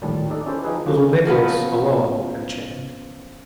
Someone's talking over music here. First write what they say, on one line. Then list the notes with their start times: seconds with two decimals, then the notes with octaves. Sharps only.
Little Nicholas alone had changed.
0.02 A#1 D#2 A2 G3 A5
0.29 D4 D#4 A4 D5
0.46 C#4 E4 G4 A4 C5
0.64 F3 D#4 G#4 B4
0.86 F3 F#3 A#3 F#4 G4
0.97 C#4
1.25 C#3 F3 F#3 B3